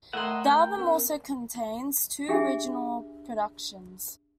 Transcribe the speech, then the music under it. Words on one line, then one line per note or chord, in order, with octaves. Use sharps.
The album also contains two original productions.
A2 A#4 D#5 E5 F#5 A#5 C6
G5
B3 C#4 A#4
D4 G4 G#4 E5 G#5